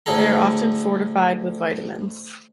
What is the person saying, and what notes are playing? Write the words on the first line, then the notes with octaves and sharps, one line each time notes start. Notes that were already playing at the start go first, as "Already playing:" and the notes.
They are often fortified with vitamins.
D2 A2 D3 G#4 A4 A#5